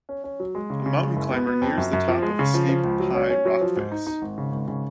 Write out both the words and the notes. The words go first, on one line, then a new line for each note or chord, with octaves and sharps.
A mountain climber nears the top of a steep, high rock face.
C#4
C#4
F#3
G#3
C#3
C#3
G#3
F#1
B3
B3
F2
F#2
F#2
F3
G#3
C#3
F3
F3
C#2
F#3
C#4
C#4
F#3
F3
G#2
D#4
D#4
G#1
C#3
G#1
C#3